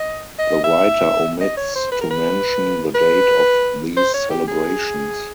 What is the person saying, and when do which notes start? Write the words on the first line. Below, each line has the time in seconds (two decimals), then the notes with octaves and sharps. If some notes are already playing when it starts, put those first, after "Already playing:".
The writer omits to mention the date of these celebrations.
Already playing: D#5
0.39 D#5
0.64 E5
1.41 D#5
1.57 C#5
1.75 C5
1.92 B4
2.01 A#4
2.11 B4
2.94 B4
3.96 C5
4.14 C#5
4.30 G4
4.48 G#4